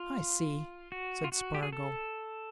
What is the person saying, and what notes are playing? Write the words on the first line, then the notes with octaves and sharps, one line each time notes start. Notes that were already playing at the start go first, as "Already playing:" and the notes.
"I see," said Spargo.
Already playing: F4
F#4
F4
F#4
G4
G#4
A4